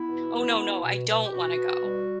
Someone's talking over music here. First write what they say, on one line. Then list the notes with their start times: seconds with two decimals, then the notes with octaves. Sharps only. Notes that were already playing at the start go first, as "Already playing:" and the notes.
"Oh, no, no, I don't wanna go,"
Already playing: B3 E4
0.09 B2
0.34 B3
0.59 B2
0.83 B2
1.07 B2
1.25 G4
1.32 B2 F#4
1.57 B2
1.82 G3